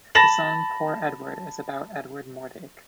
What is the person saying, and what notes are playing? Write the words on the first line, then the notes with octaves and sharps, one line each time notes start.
The song "Poor Edward" is about Edward Mordake.
A5 B5 A6 A#6 E7 F#7